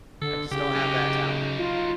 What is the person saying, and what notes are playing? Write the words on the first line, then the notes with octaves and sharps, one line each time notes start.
I just don't have that talent.
D3 A4
C#3 G4
F#3 D#4
F4